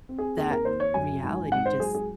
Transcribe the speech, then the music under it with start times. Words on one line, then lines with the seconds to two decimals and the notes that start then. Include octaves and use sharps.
that reality just
0.09 C4
0.18 G#4
0.37 D#2 G#4
0.51 A#4
0.65 D#2 C5
0.80 C#5
0.94 F#2 G#5
1.23 G#1
1.51 G#2 F#5
1.66 C5
1.80 F#3 G#4
1.94 G#4